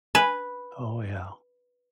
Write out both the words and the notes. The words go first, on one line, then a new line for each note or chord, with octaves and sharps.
Oh yeah,
B4 G#5